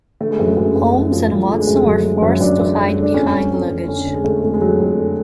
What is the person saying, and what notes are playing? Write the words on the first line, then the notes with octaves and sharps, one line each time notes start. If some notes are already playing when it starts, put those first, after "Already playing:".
Holmes and Watson are forced to hide behind luggage.
D3 A3
G#3
F#2 F#3
F#2 G#3
F#2
F#2
F#2 F3
F#2 F3
D3 G#3
G#3
F#2 A3
D3 F#3
D3
F#2 F#3
F#2 D4
F#2
F#2
D3
D4
F2 C#4
F2
F2
F2
D3 C#4
D3
G#3
D3 A3
F2 G#3
G#3
F2 F#3
F2
D3